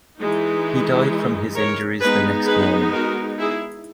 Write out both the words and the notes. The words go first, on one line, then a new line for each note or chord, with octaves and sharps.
He died from his injuries the next morning.
E3 G#3 D#4
A#4 C#5
G#3 B3 D#4 G#4 B4
G#4 B4
F#4 A#4
E4 G#4